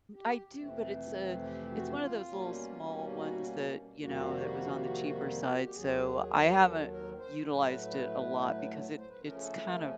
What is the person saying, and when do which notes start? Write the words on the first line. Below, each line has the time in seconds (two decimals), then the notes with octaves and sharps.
I do, but it's a it's one of those little small ones that, you know, that was on the cheaper side, so I haven't utilized it a lot because it it's kind of,
0.13 G4
0.55 F2 C3 E3 A3 C4
1.42 G4
1.71 F#4
1.92 F#4
1.99 F4
2.28 B2 G3 A#3 C#4
3.08 G4
3.15 F#4
4.01 F2 C3 D#3 G3 A#3 F#4
5.50 F#4
5.62 G4
5.74 D#2 D#3 F#3 G#4
6.61 A4
6.90 A#4
7.19 C5
7.47 A2 F#3 A3 B4
8.97 C5
9.08 B4
9.20 C#3 F3 A3 C#4 A#4
9.36 G#4
9.42 A4
9.64 A#4